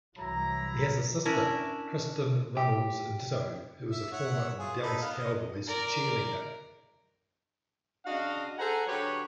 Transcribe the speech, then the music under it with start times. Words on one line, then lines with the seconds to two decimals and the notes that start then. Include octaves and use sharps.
He has a sister, Kristin Runnels Ditto, who is a former Dallas Cowboys Cheerleader.
0.17 C2 E3 F#3 E4 A#5
1.25 C#4 D4 E4 A#4
2.57 G4
3.92 E5
4.12 C#5 E5 F#5
4.59 F4 F#4 G#4
4.82 D#4 A4 B5
5.02 B3 F5
5.20 D#5
5.67 A#4 D5
8.06 C#3 D4 F#4 D#5 F5
8.58 G#4 A4 C5 F#5 G#5 A#5
8.87 D3 F#3 G4 B4 C#5